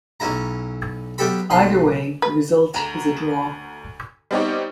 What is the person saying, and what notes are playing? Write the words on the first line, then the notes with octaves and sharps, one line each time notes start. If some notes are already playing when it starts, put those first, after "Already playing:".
Either way, the result is a draw.
B1 C#4 E4 A#5
F#2 B3 G4 A4 B5
B1 B4 C6
B4
D2 A#5
G3 B3 C4 D#4 G4 C#5